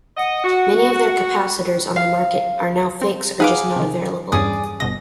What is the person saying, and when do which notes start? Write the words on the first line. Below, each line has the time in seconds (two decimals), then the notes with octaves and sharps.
Many of their capacitors on the market are now fakes or just not available.
0.17 D#5 F#5
0.45 F#4
1.96 F5
3.02 C4
3.40 D#4 G#4 B4 F5 F#5 D6
3.76 C3 D#3
4.32 E2 G2 C#4 G#4 D5 D#6
4.80 G1 B2 D#5 A#6